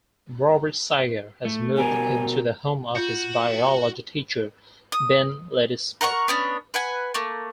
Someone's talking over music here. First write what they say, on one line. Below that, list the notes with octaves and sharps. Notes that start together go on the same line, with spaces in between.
Robert Cigar has moved into the home of his biology teacher, Ben Ladysmith.
A3
B2 G4 A#4 G#5
F4 F#4 G6 C#7
D#6
A#4 F#5 C6 C#6
B3 C#4 D4
B4 F#5 G#5
A3 A#3